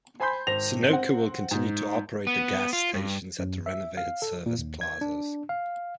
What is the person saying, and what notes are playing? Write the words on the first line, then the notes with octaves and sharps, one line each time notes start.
Sunoco will continue to operate the gas stations at the renovated service plazas.
C5 G#5 B5 C6 G6
G#1 C5 A#6 F7
C4 F#5
G#2
B3
F4
G2
F#2
E5
F5
A4
A#2
D#2
G#6
D4
F5